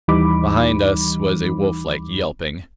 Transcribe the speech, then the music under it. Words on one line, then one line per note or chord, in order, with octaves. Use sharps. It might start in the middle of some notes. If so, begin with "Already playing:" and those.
Behind us was a wolflike yelping.
D#2 E3 G3 D#4 B5 D6